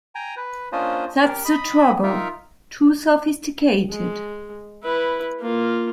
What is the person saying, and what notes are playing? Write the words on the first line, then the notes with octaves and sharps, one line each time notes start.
That's the trouble - too sophisticated.
G5 G#5 A#5
B4
A#3 C#4 D4 F4 C5 D#5
G4 A#4
D#5 B5
D#4 F4 A#4 E5
G#3
E4 B4
A#3 F4